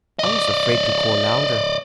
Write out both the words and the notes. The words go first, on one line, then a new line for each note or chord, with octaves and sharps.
I was afraid to call louder.
D5 D#5